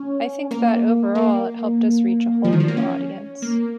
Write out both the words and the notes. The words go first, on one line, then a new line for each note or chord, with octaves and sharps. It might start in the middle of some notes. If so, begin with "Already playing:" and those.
I think that overall, it helped us reach a whole new audience.
Already playing: C#4
A#3
A#3
F3
D#3
F3
A#3
C#4
A#3